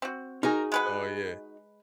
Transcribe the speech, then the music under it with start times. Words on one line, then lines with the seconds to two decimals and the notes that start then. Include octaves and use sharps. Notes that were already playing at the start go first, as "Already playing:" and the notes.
No, yeah.
0.02 C4 F#4
0.43 D#4 F#4 G#4 A#4
0.72 G#3 B4 F#5